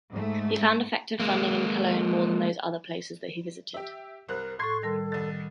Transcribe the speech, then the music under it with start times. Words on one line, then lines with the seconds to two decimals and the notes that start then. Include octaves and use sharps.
He found effective funding in Cologne more than those other places that he visited.
0.11 G#2 A3
1.20 G#3 A#3
3.74 G4 E5
4.29 C2 C4 A#4 F#6
4.59 A2 A4 C6 C#6 G#6 C7
4.83 D#3 G3 A4 A#4
5.12 C2 D#3 A6